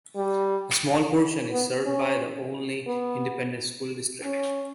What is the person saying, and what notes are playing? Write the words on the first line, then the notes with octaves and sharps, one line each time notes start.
A small portion is served by the Olney Independent School District.
G3
B3
C#4
B3
C#4